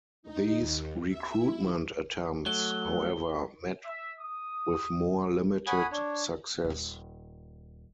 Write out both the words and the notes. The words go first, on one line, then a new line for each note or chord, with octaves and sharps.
These recruitment attempts, however, met with more limited success.
D#4
D#2
E5
E4
F#3 A3 G7
E5
D#6
C#5 F#5 G#5 B5 D#6
D4 C#5
D#1